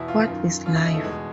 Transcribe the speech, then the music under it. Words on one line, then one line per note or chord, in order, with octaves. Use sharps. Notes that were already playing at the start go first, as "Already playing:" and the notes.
What Is Life?
Already playing: E2 B2 E4
F4
F#2 D#3
D#2 C#3 E3 F4
E4
D#4
A3
E2 B2 G#3